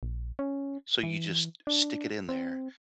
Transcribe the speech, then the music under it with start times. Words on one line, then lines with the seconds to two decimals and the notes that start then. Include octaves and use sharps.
So you just stick it in there,
0.03 A#1
0.39 C#4
1.03 E3
1.67 D4
2.29 C4